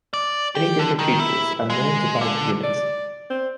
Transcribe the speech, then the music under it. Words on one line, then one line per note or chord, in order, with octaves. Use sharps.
Many different creatures are known to bite humans.
D5
G4
D3
D#3
E4
G#3
D3
D5
C4